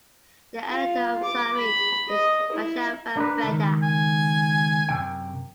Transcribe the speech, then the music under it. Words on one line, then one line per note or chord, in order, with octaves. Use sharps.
The editor of "Sarie" is Michelle van Breda.
F4
D6
B5
D#5
E4
D4 A#4 B4
C#2 D#3
G#5
F#2 C3 G5